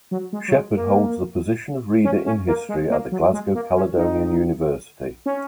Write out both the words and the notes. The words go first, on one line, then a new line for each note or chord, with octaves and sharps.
Shepherd holds the position of reader in history at the Glasgow Caledonian University.
F#3
G#3
F#3
G#3
A#3
C#4
C#4
A#3
G#3
A#3
F#3
G#3
A#3
C#4
D#4
C#4